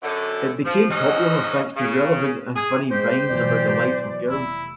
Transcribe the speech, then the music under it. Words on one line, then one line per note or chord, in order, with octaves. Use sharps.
It became popular thanks to relevant and funny vines about the life of girls.
F#2 D3
F3
F2 G#3 C#4 D#4 F#4
C#3
G#4
G#3 G4 C5
B2 E3 F#3 D5
F1 E4